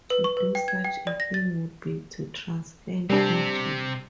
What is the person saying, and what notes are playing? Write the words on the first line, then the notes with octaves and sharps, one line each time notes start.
To do such a thing would be to transcend magic.
B4
C#6
B4
G5
G#6
G5
D5
A#6
A6
C3 G3 C4 D4